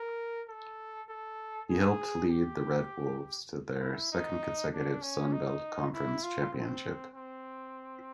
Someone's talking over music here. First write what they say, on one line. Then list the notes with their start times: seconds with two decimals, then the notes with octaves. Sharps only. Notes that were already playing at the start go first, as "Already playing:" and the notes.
He helped lead the Red Wolves to their second consecutive Sun Belt Conference championship.
Already playing: A#4
0.48 A4
1.09 A4
1.70 G#4
2.30 G4
3.81 E4
4.12 D#4
4.73 D4
5.02 C#4
5.33 D#4
5.94 E4
6.23 F4
6.54 C4
7.14 C4